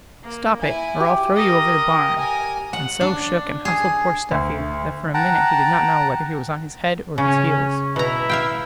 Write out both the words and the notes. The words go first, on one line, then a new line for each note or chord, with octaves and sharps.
"Stop it, or I'll throw you over the barn!" and so shook and hustled poor Stuffy that for a minute he did not know whether he was on his head or his heels.
A#3
E4 G#5
G4
A#4 D#5
A#4 G#5
F#5
D4
G#4
D2
F#5 G5 A5 A#5
C#3 C#4
B2 E4 A#5
E5 F5 G5